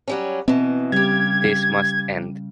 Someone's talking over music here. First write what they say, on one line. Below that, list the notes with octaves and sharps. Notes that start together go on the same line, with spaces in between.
This must end.
F#3 G3 C#4
B2 E3 C4
C#3 G3 G4 F5 G#6